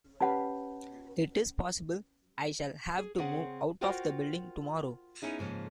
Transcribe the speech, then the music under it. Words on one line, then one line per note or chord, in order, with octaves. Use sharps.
It is possible I shall have to move out of the building tomorrow.
C#4 G4 B4 F#5 A5
G#4
C#3 C4 G#4 F#5
F4 F#4 A#4 C5 F#5 G5
B3 C#4 D#4 E4 G#4
G#2 C#3 F3 A#3